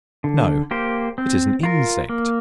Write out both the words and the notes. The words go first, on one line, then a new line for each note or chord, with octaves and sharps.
No, it is an insect.
D3
A#3 G4 C5
C4
F4 A#4
A#3